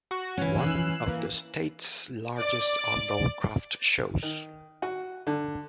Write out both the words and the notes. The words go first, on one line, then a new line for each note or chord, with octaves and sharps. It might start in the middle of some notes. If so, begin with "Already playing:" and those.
One of the state's largest outdoor craft shows.
F#4
E3 C#4
E6 F#6 C7
E3 A#3
D5
D#3
F#4
D3